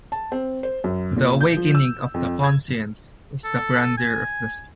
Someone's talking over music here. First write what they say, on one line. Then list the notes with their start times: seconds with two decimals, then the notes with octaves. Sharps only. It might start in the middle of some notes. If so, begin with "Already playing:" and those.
The awakening of the conscience is the grandeur of the soul.
0.12 A5
0.32 C4
0.63 C5
0.84 F#2
1.16 A#2
1.41 G6
1.57 F3
1.75 E6
2.14 F2
2.43 G#6
3.44 A4
3.97 G#5